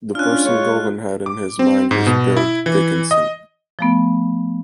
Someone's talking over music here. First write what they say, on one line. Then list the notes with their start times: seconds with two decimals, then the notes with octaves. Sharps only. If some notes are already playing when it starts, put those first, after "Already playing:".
The person Govan had in mind was Bill Dickinson.
0.15 C#4 D4 F4 F6 F#6
0.45 G#3 C#5
1.26 D6
1.59 C4
1.91 G#2
2.07 B2
2.37 E4
2.66 E3
3.11 D#5
3.79 F3 A3 B3